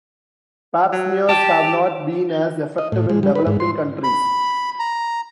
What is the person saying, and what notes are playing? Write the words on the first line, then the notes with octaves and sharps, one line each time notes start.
Pap smears have not been as effective in developing countries.
F#3
G4 A5
D#5
A2
G#3
G3
B4
G#2
C6
B5
A#5